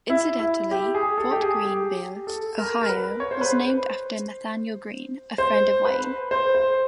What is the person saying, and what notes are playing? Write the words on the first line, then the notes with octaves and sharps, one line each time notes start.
Incidentally, Fort Greene Ville, Ohio, was named after Nathaniel Greene, a friend of Wayne.
E4
E4
G4
G#4
A4
G4
G#4
G4
A4
A#4
A#4
B4
C#5
C5
B4
C5
C5
B4
C5
C5